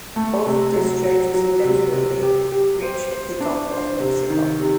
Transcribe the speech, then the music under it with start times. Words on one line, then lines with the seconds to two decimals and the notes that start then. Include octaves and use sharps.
Both discharges eventually reach the Gulf of Mexico.
0.16 A3
0.46 C3
0.76 F#3
1.05 F#3
1.34 F#3
1.64 C3
1.93 C3
2.23 G4
2.52 G4
2.82 C5
3.12 C5
3.40 D4
3.71 C5
4.00 C3
4.30 D#3
4.60 C3